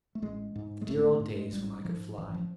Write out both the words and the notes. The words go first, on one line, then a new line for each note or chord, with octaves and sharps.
"The dear old days when I could fly!"
A3
A1 G#3
G#2
G#3
A1 A3
A3
G#2
G#3
A1 G3
G#2 F3
A1 E3
F3